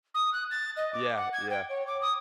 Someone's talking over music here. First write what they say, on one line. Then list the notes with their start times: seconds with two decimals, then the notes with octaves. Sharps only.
Yeah, yeah.
0.14 D#6
0.33 F#6
0.51 A6
0.76 D#5
0.93 D6
1.16 F#5
1.33 G#6
1.49 G5
1.69 C#5
1.87 D6
2.01 D#6